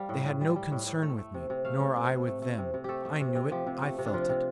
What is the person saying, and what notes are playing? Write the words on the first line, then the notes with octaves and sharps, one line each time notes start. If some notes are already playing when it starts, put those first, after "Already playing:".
They had no concern with me, nor I with them. I knew it; I felt it.
Already playing: G3 F5
A2
A2
G3
G3
A2
A2
A3
A3
C3
C3
A3 F5
A3
C3
C3
A3
A3
C3
C3
A3 G4 A4
A3
C3
C3
F3 G4
C3
A3
C3
D4
F3 F4
C3